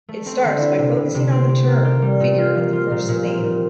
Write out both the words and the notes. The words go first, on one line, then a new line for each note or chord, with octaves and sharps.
It starts by focusing on the "turn" figure of the first theme.
A3
C4
D3
E4
C3
C3
C3
C4
G4
A#3
G4
G3
A#2
F4
F3
F4
A#2
A#2
C4
A#2